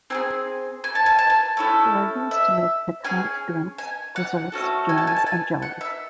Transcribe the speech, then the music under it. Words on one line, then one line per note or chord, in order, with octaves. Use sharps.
They are used to make piquant drinks, desserts, jams, and jellies.
C4 D#4 G#4 G#5
G#5
A5
G#5
A5
G#5
A3 C#4 E4 A4
E5
C#4 G#4 G#5
G#5
F#5
A3 C#4 F#4 A4
G#5
A5
G#5
A5
G#5
F#5
E5